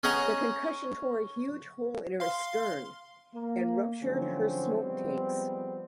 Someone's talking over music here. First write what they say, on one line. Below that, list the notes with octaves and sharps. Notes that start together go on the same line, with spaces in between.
The concussion tore a huge hole in her stern and ruptured her smoke tanks.
C#4 G#4 D#5 F#5 G#5 A#5
F5 C6
A#3
G#2 D3 F3 F#3 C4 C#4
F3 G3 G#3 B3 C4